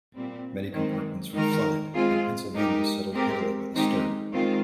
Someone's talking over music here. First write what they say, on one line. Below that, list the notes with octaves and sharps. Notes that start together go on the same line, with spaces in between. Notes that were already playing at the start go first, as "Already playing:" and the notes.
Many compartments were flooded and "Pennsylvania" settled heavily by the stern.
A#2 G3 C4
D#3 G#3 C4
D#3 G#3 D#4 A#4
G#3 C4 F4 G#4
G#3 D#4 G4 A#4
G#3 C4 G4 A#4
D#3 G#3 C4 D#4 G4
D#3 G#3 C4 F4